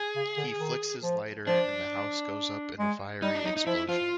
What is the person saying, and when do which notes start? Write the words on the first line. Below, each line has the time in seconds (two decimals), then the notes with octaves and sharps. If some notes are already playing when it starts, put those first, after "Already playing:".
He flicks his lighter and the house goes up in a fiery explosion.
Already playing: G#4
0.16 C#3
0.38 D3
0.59 D#3
1.03 F3
1.47 F3 D4
2.79 G#3
3.22 G3 D#4
3.35 D4
3.45 F#3 D#4
3.57 D#4
3.67 F3 E4
3.89 F3 F4